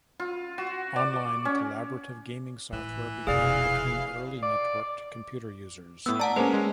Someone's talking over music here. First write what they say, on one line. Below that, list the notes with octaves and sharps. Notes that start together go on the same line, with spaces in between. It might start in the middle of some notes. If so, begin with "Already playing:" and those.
Online collaborative gaming software began between early networked computer users.
F4
F#4
D5
C#4
A2 E3
F1 B2 G#4 D5 F5
D5
A2 B3 E6
D5 F#5 A5 A#5
G#3 A#3 C#4 B4 C5
G#3